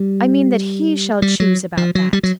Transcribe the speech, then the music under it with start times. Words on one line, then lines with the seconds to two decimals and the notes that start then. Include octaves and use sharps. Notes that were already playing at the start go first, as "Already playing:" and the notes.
"I mean that he shall choose about that."
Already playing: G3
1.22 G3
1.40 F#3
1.77 F3
1.95 F#3
2.13 G3
2.23 F#3